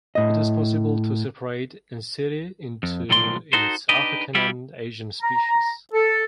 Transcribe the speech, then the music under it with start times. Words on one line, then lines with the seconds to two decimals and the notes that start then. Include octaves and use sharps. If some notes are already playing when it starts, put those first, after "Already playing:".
It is possible to separate "Ensete" into its African and Asian species.
0.15 A2 D#5
2.83 F2
3.10 B1 A2 D#3 F3 D5 C6
3.53 D#4 F#4 A4 C5
3.89 D4 D#4 G4 B4 D#5
4.35 G3 E4 F4 G4
5.22 A#5
5.93 A4